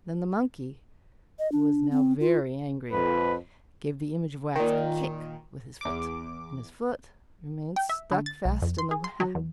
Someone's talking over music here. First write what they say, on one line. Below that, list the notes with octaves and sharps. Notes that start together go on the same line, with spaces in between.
Then the monkey who was now very angry, gave the image of wax a kick with his foot and his foot remained stuck fast in the wax.
D#5
D4
C4
F4
F2 B4
A#2 D#3
E2 D6
G5
E5
D3
A6
B1
F2
C6
G#4
C6
F#3
E2